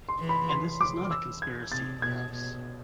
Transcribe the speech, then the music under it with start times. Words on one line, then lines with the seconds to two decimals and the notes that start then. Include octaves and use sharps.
And this is not a conspiracy, perhaps?
0.09 C6
0.19 E3
0.29 B5
0.49 C6
0.81 D6
1.11 E6
1.42 G#6
1.72 C3 A6
2.02 B2 G#6
2.33 B2